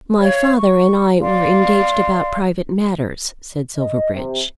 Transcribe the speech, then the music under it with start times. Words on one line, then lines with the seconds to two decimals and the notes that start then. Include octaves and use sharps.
"My father and I were engaged about private matters," said Silverbridge.
0.21 C#5 F5 G#6
0.58 C#6
1.21 D5 F5 C6
3.78 D#5
4.13 C3